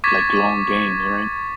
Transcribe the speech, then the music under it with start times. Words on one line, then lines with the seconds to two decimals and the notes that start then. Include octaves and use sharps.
like, long games, right?
0.04 C#6 D6 G#6 A6 B6